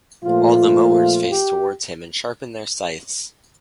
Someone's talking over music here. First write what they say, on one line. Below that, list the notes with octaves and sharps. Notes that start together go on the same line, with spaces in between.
All the mowers face towards him and sharpen their scythes.
A#2 F3 A3 F4
G4